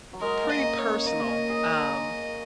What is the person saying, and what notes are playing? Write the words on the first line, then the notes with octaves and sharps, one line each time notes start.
pretty personal, um
F#3
G#3 A#4
A#3
D#5
C#4 D#4
C#5
C#4
A#3 D#5
A#3
C#4
G#4
A#4